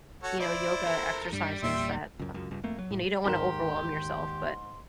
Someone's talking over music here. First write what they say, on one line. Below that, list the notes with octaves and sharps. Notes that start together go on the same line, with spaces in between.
you know, yoga exercises that, um you know, you don't wanna overwhelm yourself, but
F#4 A4 C#5
E4 C5 D5
A4 A#4
G2 G3
A#1 E2 A#2 E5 C6
C#2 F#2
C#2 F#2
C#2 G2
F2 A3 A#3
F#3
A2
D#2 G#2 G4 A#4 C6 E7